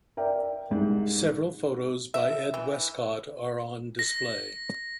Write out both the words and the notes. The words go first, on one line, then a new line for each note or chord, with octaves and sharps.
Several photos by Ed Westcott are on display.
A#4 D5 E5 G5
C2 G#2
E5
E3
A#6